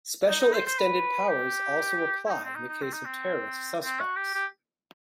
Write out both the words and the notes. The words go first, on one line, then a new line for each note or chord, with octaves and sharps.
Special extended powers also apply in the case of terrorist suspects.
D#4
D#4
C5
C5
B4
G4
E4
D#4
C4
D#4
D#4
C4
D#4
C4
C4
F#4
G4
G4